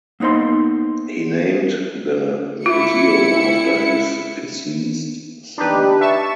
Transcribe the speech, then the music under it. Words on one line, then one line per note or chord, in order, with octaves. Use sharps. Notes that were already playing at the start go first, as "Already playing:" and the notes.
He named the museum after his deceased son.
A#3 B3 D#4 C5 C6
E4 F4 C#7
D4 D#4 G4 B4
E5 A5 C#6 E6 E7